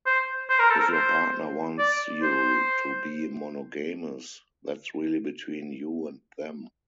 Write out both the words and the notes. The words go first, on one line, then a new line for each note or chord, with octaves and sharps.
If your partner wants you to be monogamous, that’s really between you and them.
C5
C5
A#4
A4
A#4
C5
D5
C5